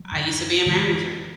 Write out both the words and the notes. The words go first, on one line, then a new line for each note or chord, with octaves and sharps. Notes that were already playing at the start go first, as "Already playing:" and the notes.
I used to be a manager,
Already playing: F#3
F#2 D3
F#2 D3 E3 G#3